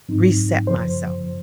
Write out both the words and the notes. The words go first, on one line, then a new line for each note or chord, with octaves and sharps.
reset myself.
G#2 F#3 C4 D#4
F#2 C#3 F3 C5